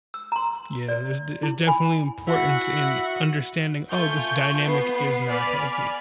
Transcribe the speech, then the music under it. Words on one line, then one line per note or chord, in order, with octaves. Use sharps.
Yeah, there's d there's definitely importance in understanding, "Oh, this dynamic is not healthy."
E6
A#5 C6
D5
E4
G#5 B5
E4 F#4 F#5
A3 F4 G#5 C#6 G6
B3 B4 C7
D5 G#5 B5 F6